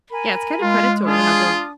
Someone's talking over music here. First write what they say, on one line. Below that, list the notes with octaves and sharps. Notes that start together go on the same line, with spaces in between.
Yeah, it's kinda predatory how they'll
A#4 G#5 B5
G#3 F4
D4 F4 G#4 D#6